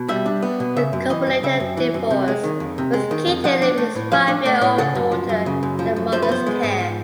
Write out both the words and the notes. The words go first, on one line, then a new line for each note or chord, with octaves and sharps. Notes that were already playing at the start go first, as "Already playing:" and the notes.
The couple later divorced, with Keaton leaving his five-year-old daughter in her mother's care.
Already playing: B2
G3 E5
D4
B3
B2
C#3 E5
F#2
E3 D#5
F#2
C#3 E5
F#2
E3
F#2
C3
G#3
D#3
F2
C3
G#3
D#3
F2
F3 F#5
D4
A3
A2
F3 F5
D4
A3 D5
A2 C#5
C#3 A4
F#2
F3
F#2
C#3
F#2
F3
F#2
F3 C5
B4
B3 C5
G#3
G#2
F3